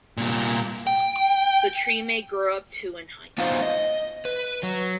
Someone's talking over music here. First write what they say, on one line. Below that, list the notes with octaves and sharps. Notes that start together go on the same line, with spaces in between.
The tree may grow up to in height.
C2 A#2
G5
B3 D#4 F4 F#4 B4 C5
D#5
B4
F#3